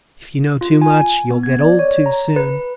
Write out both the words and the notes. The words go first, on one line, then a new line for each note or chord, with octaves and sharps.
"If you know too much, you'll get old too soon."
F4
G#5
B3
G#6
D5
C#5
A#5
B4